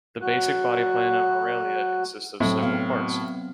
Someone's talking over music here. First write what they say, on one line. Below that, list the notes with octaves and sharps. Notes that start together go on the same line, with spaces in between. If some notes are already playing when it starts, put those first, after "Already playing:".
The basic body plan of "Aurelia" consists of several parts.
F#3 F#4 F#6
A2 F#3 C4
B3 F5